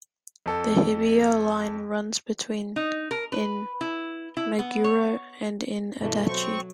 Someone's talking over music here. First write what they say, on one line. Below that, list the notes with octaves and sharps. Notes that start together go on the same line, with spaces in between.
The Hibiya Line runs between in Meguro and in Adachi.
F2 A4
D#4
A#4
B4
E4
E4
B3
C#5
G2 B2 E3 A3
F#3 C4 C#6